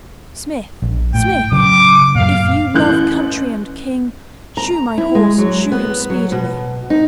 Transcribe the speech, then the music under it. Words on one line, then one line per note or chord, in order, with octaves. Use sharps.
"Smith, smith, if you love country and king, shoe my horse, and shoe him speedily."
A#1
A2 G5
C#3 F#3 D6
F#2 A#2 F5
A1 E3 F#6 G6
A#5
E4
G#3
F#3
B3
F#3
B2
D#4